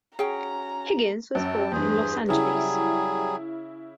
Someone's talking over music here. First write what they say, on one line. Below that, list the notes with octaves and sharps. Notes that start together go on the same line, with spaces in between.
Higgins was born in Los Angeles.
C#4 F#4 G#4 G5 A#5
F#2 G5 A5
E2 G2 G#4 C5
C#3 F#3 G3 E4 G#4